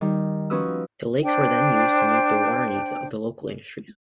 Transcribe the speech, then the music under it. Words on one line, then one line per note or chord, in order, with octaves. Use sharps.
The lakes were then used to meet the water needs of the local industries.
D#3 G3
F3 C#4 F#4 B4 D#6 E6
D4 C5 G5